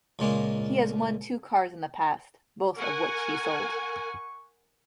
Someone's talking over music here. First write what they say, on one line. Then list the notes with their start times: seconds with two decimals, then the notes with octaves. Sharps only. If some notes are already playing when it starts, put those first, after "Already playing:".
He has won two cars in the past, both of which he sold.
0.19 C#2 A#2 G#3 A#3
2.76 A#4 F#5 G#5 C#6